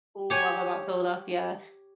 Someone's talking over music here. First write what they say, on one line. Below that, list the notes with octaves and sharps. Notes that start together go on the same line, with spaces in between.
love about Philadelphia
G4 C#5 G#5